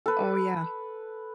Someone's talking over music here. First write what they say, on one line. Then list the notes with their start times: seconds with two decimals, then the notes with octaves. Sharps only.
Oh yeah.
0.06 A4 B4